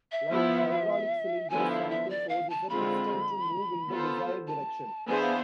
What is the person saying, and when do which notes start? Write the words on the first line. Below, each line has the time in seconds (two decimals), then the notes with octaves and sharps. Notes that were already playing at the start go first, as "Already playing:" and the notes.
Like hydraulic cylinders, something forces a piston to move in the desired direction.
0.12 E5
0.30 F3 B3 E4
1.50 D3 F3 B3 E4 G#5
1.70 F5
1.90 E5
2.10 D5
2.29 F5
2.50 A5
2.69 D3 G#3 C4 F4 B5
3.88 B3 F4 A4 C5
4.48 A5
5.07 E3 B3 D4 G#4 C5 G#5
5.22 F5